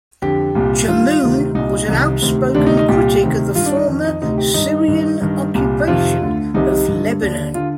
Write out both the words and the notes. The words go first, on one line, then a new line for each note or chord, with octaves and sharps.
Chamoun was an outspoken critic of the former Syrian occupation of Lebanon.
F2 D3 G4
C2 A#2
G2 D#3 F4
D2 C3 D#3
C2 A#2 D#4
C2 C3 D#3
D2 C3 D#3
D2 C3 D#3 D4
D#4
D#4
C2 A#2 G4
D2 C3 D#3
G2 D#3 F4
D4
D#4
F2 D#3
D#4
D2 C3 D#3 D#4
G4
G2 D#3 D#4
G2 D#3
G2 D#3
C2 A#2
F2 C3 D#3 F4
D2 D3
C2 C3 D#3 D#4
G2 D3
D#2 D3 D4
D3 F4